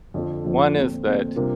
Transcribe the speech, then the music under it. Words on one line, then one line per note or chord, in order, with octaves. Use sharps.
one is that,
F2 D3 F3
F2 D3 F3
A#2 A3 C4
A#2 A3 C4
C3 G3 A#3 D4 F4